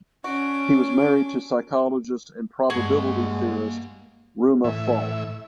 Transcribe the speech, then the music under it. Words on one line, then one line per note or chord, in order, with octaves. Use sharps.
He was married to psychologist and probability theorist Ruma Falk.
C#4 D4 F#4 D6
G2 G#3 A#3 F#4 G#4 A5 C6
A2 E3 E5